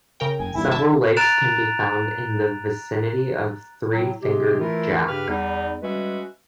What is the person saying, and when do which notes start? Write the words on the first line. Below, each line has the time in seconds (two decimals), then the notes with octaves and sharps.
Several lakes can be found in the vicinity of Three Fingered Jack.
0.20 C#3 A#4 G5
0.40 F#1 G#5
0.55 G1 D#2 A#2 E4
0.71 E5 A5
1.16 A#5 F#6 A6 D7 E7 F7
3.91 A2 F#3
4.23 C3 G#3 C4 G4
4.60 E3 A3 E4 F4 A#4
5.08 G2 C#3 G4 B4 F6
5.29 E2 G3 D#4
5.82 G3 G#3 C#4 F#4 B4 E5